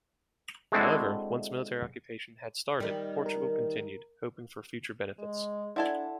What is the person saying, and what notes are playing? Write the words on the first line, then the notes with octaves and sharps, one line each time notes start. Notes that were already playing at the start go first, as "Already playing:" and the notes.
However, once military occupation had started, Portugal continued, hoping for future benefits.
G#3 A3 C4 D4 E4 F#4
D#3 G3
A#4
G#3
D4 E4 A4 D5 F#5 G#5 C6